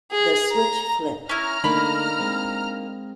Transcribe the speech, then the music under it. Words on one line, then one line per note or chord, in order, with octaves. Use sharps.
The switch flip.
G#4
A#5
C#4 E4 A#5 F6
D3 A3 A#3 D4 D#4 B5
G#3 C4